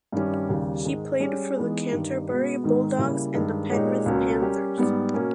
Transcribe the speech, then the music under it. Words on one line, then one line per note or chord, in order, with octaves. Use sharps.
He played for the Canterbury Bulldogs and the Penrith Panthers.
G2 D#3 G3 C#4
D#2 C#3 G3
G#2 D#3 G#3
G3 C#4 G#4 C#5
E3 G#3 B3 D#4
G2 D#3 G3
B2 G#3 B3
G#2 D#3 G#3
C#3 G3 A#3 E4
G2 D#3 G#3
A#2 G#3 D#4 G4 C#5
C#2 B2 A#3 C#4
G3 C#4 G4 A#4
G#2 G3 B3
B2 A#3 C#4